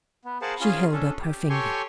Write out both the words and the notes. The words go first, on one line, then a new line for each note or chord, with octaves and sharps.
She held up her finger.
B3
G#4 A#4 C5 F5 F#5 A5
C#4 F4 G#4 F5
C#4 D4 A4
G4
G4 A4 C#5 G#5 C6 C#6